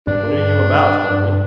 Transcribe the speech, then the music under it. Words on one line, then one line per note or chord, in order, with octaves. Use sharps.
"What are you about, Harry?"
G2 D4